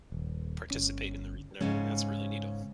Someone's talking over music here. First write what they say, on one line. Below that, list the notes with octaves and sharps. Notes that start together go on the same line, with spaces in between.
Participate in the wreath and everything, that's really neato.
D#1
G1 C#4
G#2 C#3 G#3 C#4